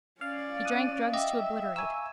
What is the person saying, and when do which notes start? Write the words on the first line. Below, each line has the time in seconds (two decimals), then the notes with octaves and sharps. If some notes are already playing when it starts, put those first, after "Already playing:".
He drank drugs to obliterate.
0.21 C#4 D5 F5
0.65 D#6 F#6 D#7
1.14 D#5 E5 G5 D6
1.76 G#5 A#5 C#6 E6 E7